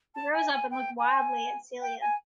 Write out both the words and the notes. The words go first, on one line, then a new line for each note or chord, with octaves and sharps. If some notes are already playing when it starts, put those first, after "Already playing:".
He rose up and looked wildly at Celia.
A5
G#5
G#5
G5
G#5
G5
G#5